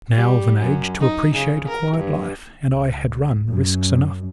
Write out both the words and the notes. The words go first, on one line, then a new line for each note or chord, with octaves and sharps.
I was now of an age to appreciate a quiet life, and I had run risks enough.
G3
F#2
D#4
C#3
A#4
G2
C#2
F#2